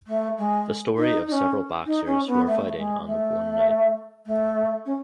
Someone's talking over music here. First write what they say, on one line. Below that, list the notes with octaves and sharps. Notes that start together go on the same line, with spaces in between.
The story of several boxers who are fighting on the one night.
A3
G#3
D#4
D#4
C#4
D#4
C#4
B3
A3
G#3
A3
A3
C#4